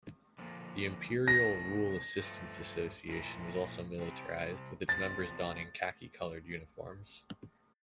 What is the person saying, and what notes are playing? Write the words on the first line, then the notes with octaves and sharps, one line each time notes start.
The Imperial Rule Assistance Association was also militarized, with its members donning khaki-colored uniforms.
D3 F3 A#3
C3 E3 A3 D4 A#6
G2 F3 A3
A#2 F3 A3 E4 A#4
C3 G3 C4
E2 C3 F3 A6